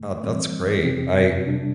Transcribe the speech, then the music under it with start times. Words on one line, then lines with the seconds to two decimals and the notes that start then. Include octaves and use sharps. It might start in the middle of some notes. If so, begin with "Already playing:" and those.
Oh, that's great. I
Already playing: G2 D3 A3
0.23 A2 E3 G3 C4
0.84 F2 C3 F3 C4 G4
1.44 C3 G3 D4